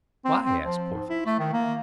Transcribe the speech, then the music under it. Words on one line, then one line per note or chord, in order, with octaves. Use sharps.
"Why?" asked Porthos.
C4
C4
F3
G#2
E4
A3
D#3
A#3